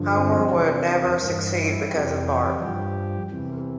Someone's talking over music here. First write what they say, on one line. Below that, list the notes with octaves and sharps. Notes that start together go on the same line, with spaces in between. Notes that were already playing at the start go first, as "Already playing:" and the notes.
Homer would never succeed because of Bart.
Already playing: G2 D3 F3
C4
E2 C3 F3 D4
G2 E3
E4
F2 C3 E3 G4
G4
G2 F3 G4
E2 C3 E3